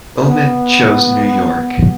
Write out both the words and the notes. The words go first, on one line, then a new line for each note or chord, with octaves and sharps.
Ullman chose New York.
B3